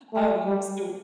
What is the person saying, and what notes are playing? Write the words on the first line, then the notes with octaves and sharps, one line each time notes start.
um, so
A3
G3